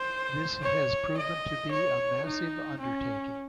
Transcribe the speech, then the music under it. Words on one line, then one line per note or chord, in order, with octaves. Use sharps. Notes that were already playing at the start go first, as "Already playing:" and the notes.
This has proven to be a massive undertaking.
Already playing: C5
C#5
D#5
C#5
D#4
C#4